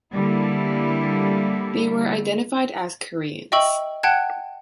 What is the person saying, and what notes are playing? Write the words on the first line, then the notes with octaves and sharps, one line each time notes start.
They were identified as Koreans.
D3 G3 A#3 E4
D#5 E5 G5 C#6 E6 F#7
F#5 G5 A5 F#6 G#6